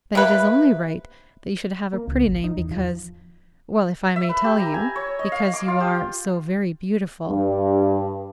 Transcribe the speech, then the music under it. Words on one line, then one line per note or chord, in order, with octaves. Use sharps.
"But it is only right that you should have a pretty name, because--well, if I may tell you, because you are so very beautiful."
C3 A#3 B4
A#3
C#2
G#1
D#4
E2
F3
E5
B4
G4
A#5
G#5
C#5
D#5
F5
D6
F4
G4
G2